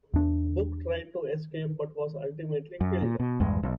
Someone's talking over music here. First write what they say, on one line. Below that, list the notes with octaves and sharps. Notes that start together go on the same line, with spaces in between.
Book tried to escape, but was ultimately killed.
E2 D4
F#2
A#2
B2
A#1 E2 G2 G#3
B1